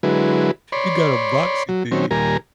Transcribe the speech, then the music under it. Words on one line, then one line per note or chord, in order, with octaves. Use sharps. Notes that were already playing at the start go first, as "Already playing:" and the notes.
You got a boxy thing.
D3 F#3 G#3 E4 B4
C#5 D5 B5 C6
F#3
D#3 F#3 C4 C#4
D#2 A#2 G3 A#4 G#5 A#5